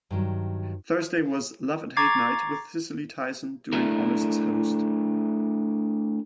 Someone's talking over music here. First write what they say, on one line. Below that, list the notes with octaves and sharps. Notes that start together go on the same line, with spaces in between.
Thursday was "Love and Hate Night" with Cicely Tyson doing honors as host.
G2 D#3 F#3
A#5 C#6 D6 G#6 A6 C7
A3 D4 E4 A#4